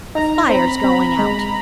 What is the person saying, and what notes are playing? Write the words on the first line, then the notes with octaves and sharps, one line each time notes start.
The fire's going out!
D#4 A#5
C4 B5
C4 B5
G#3